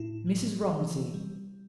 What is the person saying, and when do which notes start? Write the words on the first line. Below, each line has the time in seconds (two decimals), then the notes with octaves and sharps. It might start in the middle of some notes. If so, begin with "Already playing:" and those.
Mrs. Romsey.
Already playing: A2 E4
0.27 F3
0.71 E3
1.14 G3